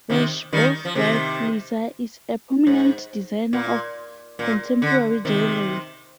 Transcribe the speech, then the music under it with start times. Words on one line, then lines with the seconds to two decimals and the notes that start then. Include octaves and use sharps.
Vershbow's wife, Lisa, is a prominent designer of contemporary jewelry.
0.10 C3 D#3
0.53 D#3 G3
0.85 F3
0.95 C3 D#3
2.67 G#2
3.53 A#2
4.39 A#2
4.82 D3
5.25 C3 D#3